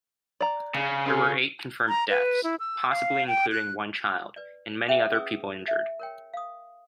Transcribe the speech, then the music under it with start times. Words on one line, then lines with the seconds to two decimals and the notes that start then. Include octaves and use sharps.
There were eight confirmed deaths, possibly including one child, and many other people injured.
0.41 D5 A#5
0.75 C#3
1.06 C#4 F4 A4
1.89 A#5
2.10 B4
2.44 E4
2.60 E6
2.90 F5
3.27 G5
3.52 F#6
4.36 B4 D5
4.88 G#4 E5 F#5 G5
5.13 C#4 G#4 B4 D#6 E6
5.68 E5
5.99 A#4 C#5 G5
6.34 F5 D#6